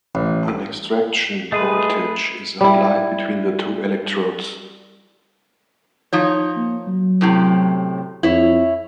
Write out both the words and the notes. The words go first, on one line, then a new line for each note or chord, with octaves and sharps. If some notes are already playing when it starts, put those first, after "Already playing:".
An extraction voltage is applied between the two electrodes.
A1
G#3 A3 G#4 B4
G3 E4
F3 D#4 C#5
A#3
F#3
F#2 A2 C3
F2 E4 C#5